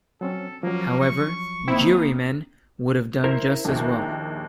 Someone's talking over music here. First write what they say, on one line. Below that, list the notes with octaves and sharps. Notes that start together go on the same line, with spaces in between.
However, ‘jurymen’ would have done just as well.
F#3 C4 C#4 A4
F3 F#3 A#3 C#4
C#6
D#3 A#3 C4 D#4 E4
E4 A#4 C5
A#1 D#2